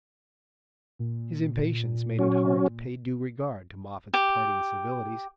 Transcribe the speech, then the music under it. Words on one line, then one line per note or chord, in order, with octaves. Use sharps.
His impatience made it hard to pay due regard to Moffatt's parting civilities.
A#2
F#3 C#4
G4